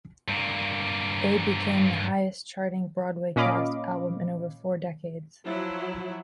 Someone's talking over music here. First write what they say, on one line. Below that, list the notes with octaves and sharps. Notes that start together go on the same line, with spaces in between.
A became the highest-charting Broadway cast album in over four decades.
G2 A#3
A#2 C#4 D#5 F5 B5 D6
F3 F#3 E4